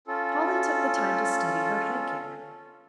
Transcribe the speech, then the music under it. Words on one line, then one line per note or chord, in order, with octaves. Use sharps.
Polly took the time to study her headgear.
C#4 F4 A4